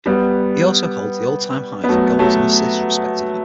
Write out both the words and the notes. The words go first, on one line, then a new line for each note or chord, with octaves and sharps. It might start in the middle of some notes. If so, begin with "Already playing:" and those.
He also holds the all-time high for goals and assists respectively.
G3 B3
B3
F#3 A3
F#3 A3